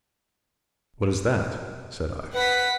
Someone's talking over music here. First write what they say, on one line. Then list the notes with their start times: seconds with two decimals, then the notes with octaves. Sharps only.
'What is that?' said I.
2.34 B4 F#5 B6